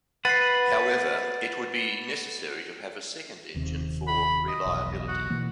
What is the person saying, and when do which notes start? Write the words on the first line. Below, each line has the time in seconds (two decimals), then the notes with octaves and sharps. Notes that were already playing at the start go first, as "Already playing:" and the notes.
However, it would be necessary to have a second engine for reliability.
0.25 B4 F#5 A6 C7
3.54 D#1 D#2 C3
4.07 B5
4.48 D#5
4.66 F1 B1 E2
5.08 F#4
5.30 B2 E3 A#3